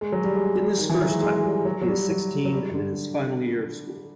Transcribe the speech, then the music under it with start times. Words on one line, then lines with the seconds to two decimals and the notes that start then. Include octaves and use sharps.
In this first title he is sixteen and in his final year of school.
0.01 G#3
0.12 F#3
0.24 G3
0.35 G#3
0.56 G3
0.78 D#3
0.89 E3
1.00 F#3
1.11 G#3
1.22 G#3
1.43 G3
1.65 F#3
1.81 F#3
1.87 G3
2.09 F#3
2.45 F#3
2.52 G3
2.74 D3